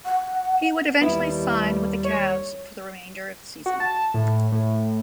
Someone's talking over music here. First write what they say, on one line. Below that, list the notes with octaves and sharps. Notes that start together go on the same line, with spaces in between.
He would eventually sign with the Cavs for the remainder of the season.
F#5
D#2 G3 B3 E4
C#5
F#4
A5
A2
A2